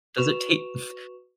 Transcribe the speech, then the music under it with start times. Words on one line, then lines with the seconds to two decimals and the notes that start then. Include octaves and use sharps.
Does it tast
0.18 F#4 B4 C#6 E7 F7